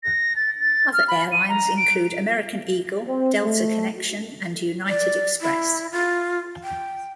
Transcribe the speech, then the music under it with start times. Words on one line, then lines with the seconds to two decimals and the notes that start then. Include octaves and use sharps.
Other airlines include American Eagle, Delta Connection and United Express.
0.03 A#6
0.36 A6
0.60 A6
0.93 F6
1.08 B5
1.32 D#7
1.49 A#5
1.77 D7
3.07 C4
3.42 A3
4.88 D5
5.41 E4
5.92 F4
6.64 G5